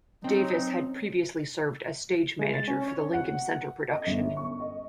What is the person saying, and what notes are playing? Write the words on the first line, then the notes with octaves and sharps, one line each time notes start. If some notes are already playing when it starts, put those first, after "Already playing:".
Davis had previously served as stage manager for the Lincoln Center production.
F#3 C4 C#4 D#4
G#3
A6
C#4
C#5
F#5
D#5
G1
C#6
D#5